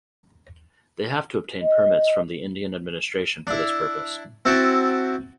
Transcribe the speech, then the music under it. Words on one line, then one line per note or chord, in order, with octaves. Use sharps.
They have to obtain permits from the Indian administration for this purpose.
D#5
D4 E4
C4 E4 F#4 G5 A5